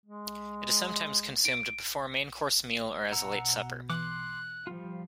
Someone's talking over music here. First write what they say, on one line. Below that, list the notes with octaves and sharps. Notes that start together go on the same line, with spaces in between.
It is sometimes consumed before a main course meal or as a late supper.
G#3
D7
B2 F#5 A#5 E6
E3 C6 D6 F#6
F3 G3 F4